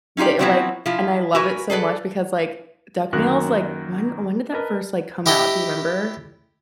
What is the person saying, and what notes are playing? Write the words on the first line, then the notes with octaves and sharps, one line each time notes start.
the like and I love it so much because like duck nails, like, when when, eh, did that first, like, come out? Do you remember?
C#4 D#4 F4 G4 D5
F3 F#3 B3 C4 E4 F#4
F3 E4 F4
F#4 A#4 B4 G#5
G#4 A4 B4 D5
F#2 D#3 A#3 F#4 F#6
A#4 B4 D#5 A5
E4 G4 D#5 G5